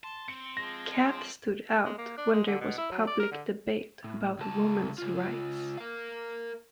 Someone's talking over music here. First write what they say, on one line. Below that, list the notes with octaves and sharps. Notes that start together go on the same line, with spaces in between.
Canth stood out when there was public debate about women's rights.
A5 C6
C4 C#7
F3 G#3 A#6
G#3
A#3
D4
G#3
D3
B2
E4
F#3
D5
A#4
D3
A2
C#2 A5
C#3 F4
A#4 F5